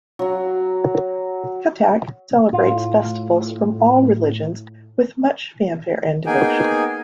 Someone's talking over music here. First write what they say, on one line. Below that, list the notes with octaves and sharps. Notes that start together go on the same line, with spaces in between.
Cuttack celebrates festivals from all religions with much fanfare and devotion.
F#3 F#4
A2 F4
A#3 B3 D#4 G#4 G5 G#5